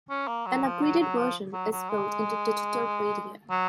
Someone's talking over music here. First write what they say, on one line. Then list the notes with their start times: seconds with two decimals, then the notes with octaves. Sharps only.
An upgraded version is built into digital radio.
0.10 C#4
0.28 A#3
0.46 F#3
0.64 F3
0.82 F#3
1.00 F#3
1.18 F3
1.53 F#3
1.71 F#3
1.90 G#3
3.50 F#3